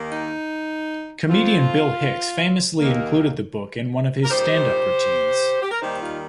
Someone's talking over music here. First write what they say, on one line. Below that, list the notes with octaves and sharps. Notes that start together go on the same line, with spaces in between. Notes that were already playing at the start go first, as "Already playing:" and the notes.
Comedian Bill Hicks famously included the book in one of his stand-up routines.
Already playing: D#2 D#3 A#3
D#4
F2 F3 C4 F4
D#2 D#3 A#3
A#4
A#2 G3 D#4 G4 C5
G4
A#4
D#2 D#3 G3 D#4 G4 C5
F4